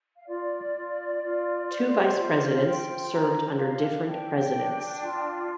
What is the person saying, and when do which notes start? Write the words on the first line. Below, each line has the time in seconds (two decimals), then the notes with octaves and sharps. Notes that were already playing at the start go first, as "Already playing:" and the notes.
Two vice presidents served under different presidents.
0.17 F5
0.27 F4 D5
0.75 F4
1.22 F4
1.69 C5
2.17 F4
2.54 F5
2.64 C5 G5
3.12 F4 A#5
3.59 D4 F5
4.07 D4 G5
4.54 D4
5.02 F4